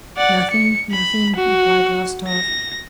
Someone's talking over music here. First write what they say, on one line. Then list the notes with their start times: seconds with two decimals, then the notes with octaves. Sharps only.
"Nothing, nothing," replied Rostov.
0.17 D5 F#5
0.51 C#7
0.92 B5
1.36 F#4
2.28 A#6